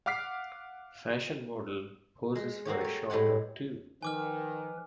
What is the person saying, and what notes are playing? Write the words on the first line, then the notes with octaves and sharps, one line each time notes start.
Fashion model posses for a shot or two.
F5 F#5 D6 F6 B6 C7
G#3
A#3 F#4 G4 C#5
A4 C#5
A2 G#3 G4 C#5 F#5
D#3 F3 B4 G#5 D6 F6